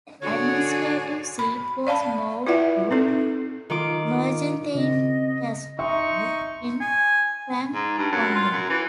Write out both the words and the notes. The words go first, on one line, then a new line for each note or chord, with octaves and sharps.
The administrative seat was moved to Mergentheim Castle in Franconia.
D3 F#4 G#4 C#5 D5
B5
D5 F5 A5 B5
E4 F4 B4 D5 E5 F#5
C4 D#4 A4
D#3 F4 D6
C#3 C4 D#5
D#4 E5 C6 C#6
G#5
G#2
G2
F#2
F4
F#2
E3